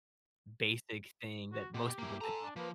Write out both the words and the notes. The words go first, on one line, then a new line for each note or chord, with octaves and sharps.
basic thing that most people do
F#4
B2 G4
A#3 E4
A4 G#5 A#5
D4
F3 A#3 B4